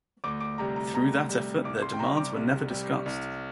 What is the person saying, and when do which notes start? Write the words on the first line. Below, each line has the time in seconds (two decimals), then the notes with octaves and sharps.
Through that effort their demands were never discussed.
0.24 D2 D6
0.40 D6
0.58 C3 G3 A#5
0.76 A#5
0.94 D2 A#5
1.29 C3 G3
1.64 C2 D6
1.82 C6
1.94 G5
1.99 C3 G3 A#5
2.17 D6
2.34 C2
2.70 C3 G3
3.06 C2